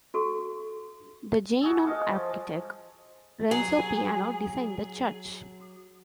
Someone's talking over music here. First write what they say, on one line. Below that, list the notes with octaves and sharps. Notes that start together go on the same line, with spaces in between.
The Genoan architect Renzo Piano designed the church.
F#4 A4 C#6
F#4 G#4 A4
D#5 F5 D6
F3
F#3 G#4